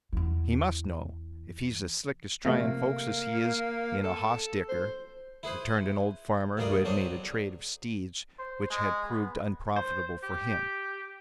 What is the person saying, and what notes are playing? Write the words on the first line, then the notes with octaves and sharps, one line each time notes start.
"He must know, if he's as slick at tryin' folks as he is in a hoss dicker," returned an old farmer who had made a trade of steeds which had proved unprofitable for him.
E2 E3
C3 F3 A3 A#3
A4
C5
E4 G#4 B4 C5
D2 G2 B3 G#4 A#4 D5
B1 F#3 C4 D4 G#4 G#5
C5
G#3
B3
C5
G4